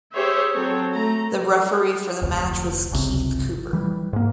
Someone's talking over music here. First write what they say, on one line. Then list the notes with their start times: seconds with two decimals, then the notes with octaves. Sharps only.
The referee for the match was Keith Cooper.
0.14 G4 G#4 C5 C#5 E5
0.53 F#3 C4 A4 C#5
0.93 A3 A#5
2.22 F1 D2
2.92 G1 C#2 C3
3.73 E3 G3
4.13 G#2 A#3